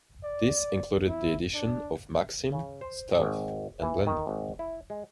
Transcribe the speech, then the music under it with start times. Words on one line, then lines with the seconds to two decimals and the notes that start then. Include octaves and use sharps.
This included the editions of "Maxim", "Stuff" and "Blender".
0.24 D5
1.08 E4
1.54 D4
2.52 C#3
2.81 C5
3.20 G#1
3.82 E3
4.07 D#3
4.27 G#1
4.59 E4
4.90 G#3